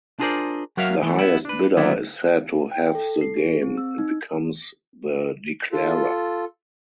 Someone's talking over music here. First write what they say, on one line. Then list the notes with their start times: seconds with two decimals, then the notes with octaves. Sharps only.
The highest bidder is said to "have the game" and becomes the declarer.
0.19 D4 F4 G#4 A#4 C5 D5
0.77 F#3 F#4 A#4 C#5 E5 F5
1.02 E3 A3
1.19 B3 E4
1.45 D4 B4
1.77 D3 D#3 F#3 A#3 B3 E4
2.72 G5
2.95 A4
3.21 C7
3.37 G#4
3.62 C4
3.77 E6
3.98 D#4
5.72 F4 A4